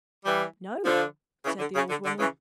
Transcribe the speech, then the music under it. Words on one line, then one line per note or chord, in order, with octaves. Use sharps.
"No," said the old woman.
E3 G3
D3 F3
C#3 E3
D3
C#3
D3
D3
C#3 E3